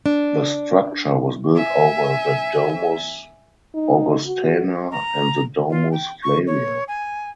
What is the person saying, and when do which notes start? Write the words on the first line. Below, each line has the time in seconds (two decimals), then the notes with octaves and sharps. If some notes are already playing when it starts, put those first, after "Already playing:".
The structure was built over the Domus Augustana and the Domus Flavia.
0.06 D4
1.56 E5 G#5
3.74 D#4
4.26 F#4
4.92 A#5
5.69 F4
5.91 G5
6.23 C#6
6.47 C#5
6.88 G#5